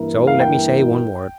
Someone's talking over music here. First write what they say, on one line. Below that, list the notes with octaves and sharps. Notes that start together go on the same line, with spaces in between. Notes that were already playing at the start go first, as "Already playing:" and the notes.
So let me say one word.
Already playing: G2 E3 A#3 E4 A#4
F5
G5